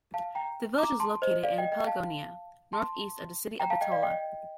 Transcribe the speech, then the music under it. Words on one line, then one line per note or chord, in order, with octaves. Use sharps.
The village is located in Pelagonia, north-east of the city of Bitola.
F5 A5
G5 A#5
A#5 D6
A5 C6
C5 D#5
D5 F5
D#5 G5
D#5 G5
F5 A5
A5 C6
G5 A#5
F5 A5
D#5 G5
D5 F5
D#5 G5